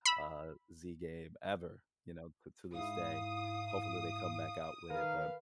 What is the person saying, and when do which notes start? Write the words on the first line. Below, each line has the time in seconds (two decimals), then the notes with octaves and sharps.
uh, Z game ever, you know, c to this day. Hopefully, they come back out with it, but
0.06 B5 E6
2.74 G#2 E4 F5 D#6
4.90 D#3 A#4 B4 F5